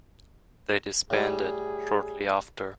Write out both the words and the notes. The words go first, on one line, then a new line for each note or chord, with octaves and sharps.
They disbanded shortly after.
A2 G3 G#4